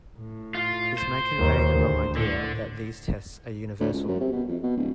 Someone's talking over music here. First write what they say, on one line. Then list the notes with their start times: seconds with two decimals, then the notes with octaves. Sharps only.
This may convey the wrong idea that these tests are universal.
0.19 A2
0.55 F4
0.98 C5
1.38 D#2
1.74 D2
2.16 A2 D3
3.80 D2
3.93 C#2
4.08 F#2
4.20 C3
4.32 B2
4.48 F2
4.63 B2
4.77 D1